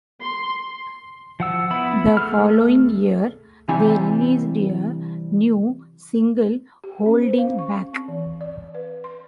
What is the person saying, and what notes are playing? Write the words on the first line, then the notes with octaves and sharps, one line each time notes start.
The following year they released a new single "Holding Back".
C6
F3 F#5 E6
B3 E4 B5
A3 G#4 A4 F6
C3 E3 G3 D4 E4 G#5
G4
C#4
C5
F5
C#6
C4
E3
D5
B4
C6